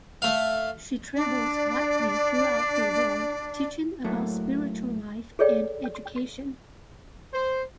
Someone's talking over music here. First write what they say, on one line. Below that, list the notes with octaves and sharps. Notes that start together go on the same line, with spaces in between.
She travels widely throughout the world teaching about spiritual life and education.
A3 F5
D4 D5
A2 F#3 A3 A#3
G#4 A4 C#5 D5 G5
C5